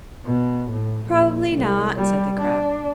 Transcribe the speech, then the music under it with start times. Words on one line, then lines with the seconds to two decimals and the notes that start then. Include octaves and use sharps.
"Probably not," said the crab.
0.24 B2
0.70 A2
1.07 A#1
1.54 C2
1.96 G3
2.38 D4